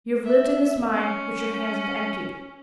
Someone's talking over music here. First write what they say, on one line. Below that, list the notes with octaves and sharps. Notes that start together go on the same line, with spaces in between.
You have lived in this mine, which your hands have emptied.
E5
C#4